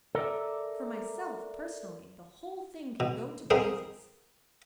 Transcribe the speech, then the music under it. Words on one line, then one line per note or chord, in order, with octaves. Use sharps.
For myself, personally, the whole thing can go to blazes.
A4 A#4 D5 E5
B2
B3 C4 G#4 A#4 D#5